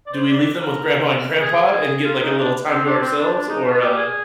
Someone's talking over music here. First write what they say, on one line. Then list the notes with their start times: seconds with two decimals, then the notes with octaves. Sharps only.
do we leave them with grandma and grandpa and get, like, a little time to ourselves? Or, uh,
0.06 D5
0.13 C5
0.30 D5
0.61 A#4
1.40 G#4
1.72 G#4
2.04 F4
2.22 D#4
2.37 D4
2.69 C4
2.85 D4
3.01 C4
3.17 D4
3.33 D4
3.49 D#4
3.66 F4
3.82 G4
3.97 G#4